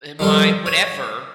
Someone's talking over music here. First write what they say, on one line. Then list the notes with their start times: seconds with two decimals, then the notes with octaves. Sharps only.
uh, my" whatever.
0.19 D#3 F3 G3 F4 A4
0.66 C#5